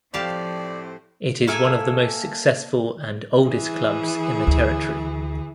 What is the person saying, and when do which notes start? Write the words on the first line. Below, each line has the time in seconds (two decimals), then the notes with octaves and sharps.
It is one of the most successful and oldest clubs in the territory.
0.14 A2 F3 C4 G4 D5 F5 A5
1.47 A#3 A4 E5 G#5
3.45 E3 G#4
4.47 D2